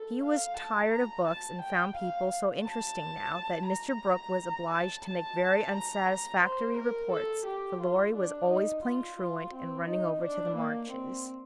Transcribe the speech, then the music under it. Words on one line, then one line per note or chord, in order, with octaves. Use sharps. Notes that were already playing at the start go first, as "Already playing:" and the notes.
He was tired of books, and found people so interesting now that Mr. Brooke was obliged to make very unsatisfactory reports, for Laurie was always playing truant and running over to the Marches'.
Already playing: A4
F5
A5
A#5
A5
G5
F5
A5
A#5
A5
A5
A#5
A#5
C5
A#4
A4
G4
F4
D4
D#4
F4
F4
C4
D#4
D4
A#3
C4